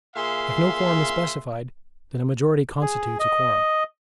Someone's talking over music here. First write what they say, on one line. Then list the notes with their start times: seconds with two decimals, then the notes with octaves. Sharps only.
If no quorum is specified, then a majority constitutes a quorum.
0.16 A#2 G#4 E5 F5 C6
2.81 G#4
3.19 D#5